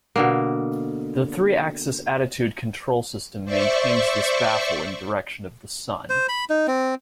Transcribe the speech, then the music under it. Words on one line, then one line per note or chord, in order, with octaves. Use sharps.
The three-axis attitude control system maintains this baffle in direction of the Sun.
B2 D3 A#3
C5 D5 E5 C#6
C5
B5
D#4
C4